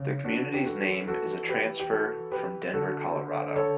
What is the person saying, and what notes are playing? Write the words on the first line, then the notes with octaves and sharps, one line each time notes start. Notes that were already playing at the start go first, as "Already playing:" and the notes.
The community's name is a transfer from Denver, Colorado.
Already playing: C#3
E3 D4 F#4
G4
F#4 A4
F#4 A4
G4 B4
G4
E3 F#4 A4
G4 B4
D3 F#4 A4
A4 C#5